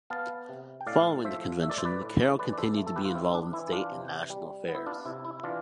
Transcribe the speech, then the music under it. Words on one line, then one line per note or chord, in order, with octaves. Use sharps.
Following the Convention, Carroll continued to be involved in state and national affairs.
B3 F5 A5
C3
G5
A2 D5 F5
F3 C5 E5
A3 E5
D5
C5
B4 D5
A2
E3 B4 D5
D5
A4 C5
A3
A4
G4 B4
F4
C4 E4
D4
E3 E4
D4 F4
C3
G3
B3
E4
D4 F4
C3 E4
E4
E3 D4 F4